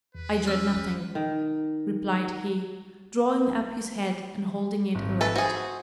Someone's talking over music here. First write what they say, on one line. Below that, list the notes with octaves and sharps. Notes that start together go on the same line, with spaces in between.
'I dread nothing,' replied he, drawing up his head, and holding it erect.
E2 B4
C#4 E6 F6
D#3
G#1
A4 B4
F#4 G#4 C5 D#6